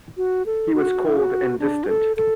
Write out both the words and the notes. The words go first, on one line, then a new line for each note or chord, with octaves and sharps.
He was cold and distant.
F#4
A4
F#4
E4
F#4
D4
F#4
A4
A4